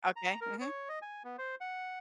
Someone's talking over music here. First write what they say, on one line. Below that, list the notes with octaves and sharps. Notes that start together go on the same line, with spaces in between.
Okay, mhm.
A#5
A#4
C#5
D#5
G#5
B3
C5
F#5